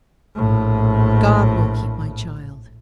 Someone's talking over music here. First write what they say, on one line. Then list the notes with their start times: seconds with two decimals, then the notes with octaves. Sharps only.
'God will keep my child.'
0.36 A#1 A2